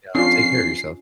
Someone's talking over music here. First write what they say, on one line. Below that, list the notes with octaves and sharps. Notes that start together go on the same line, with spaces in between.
You know, take care of yourself.
F2 C#4 D4 F4 C7